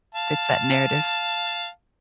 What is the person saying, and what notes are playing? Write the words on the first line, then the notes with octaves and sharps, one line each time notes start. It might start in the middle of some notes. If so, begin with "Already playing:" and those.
Fits that narrative.
F5 A5